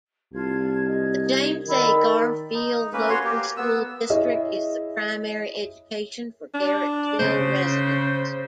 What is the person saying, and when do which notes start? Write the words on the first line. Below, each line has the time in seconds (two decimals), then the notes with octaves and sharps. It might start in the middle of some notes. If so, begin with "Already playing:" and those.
The James A. Garfield Local School District is the primary education for Garrettsville residents.
0.34 C2 F4 A5 G#6
0.88 D#5 G#6
1.67 D#3 D5 B5 E6
2.54 D#4
2.93 A#3 C#4 B4
3.10 F#4 C#5 C6
3.24 A#3 G4
3.57 B3 E6
4.10 E4 G#4 C#5 D#5 E5
6.54 D4
7.19 C#3 C5